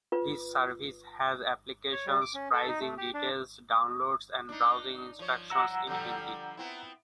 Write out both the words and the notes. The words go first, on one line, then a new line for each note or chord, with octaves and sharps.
This service has applications, pricing details, downloads and browsing instructions in Hindi.
F4 B4
C#5
G3
D6
C#4
A4
D#4
A3
G4
D4
D4 D#4
F3 C#5
F#5 A#5 E6
D3 F3 G3
B3 C4 E4